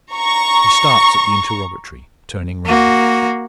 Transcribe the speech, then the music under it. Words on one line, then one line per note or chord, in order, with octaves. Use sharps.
He starts at the interrogatory, turning round.
A#5 C#6
A#3 F#4